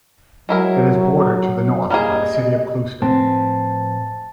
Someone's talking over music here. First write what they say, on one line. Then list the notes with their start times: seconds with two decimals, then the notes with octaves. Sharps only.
It is bordered to the north by the city of Clewiston.
0.49 F#3 G#3 E4 A#4
1.90 G3 A#3 G#4 D#5
3.02 A2 F3 C4 B4 A5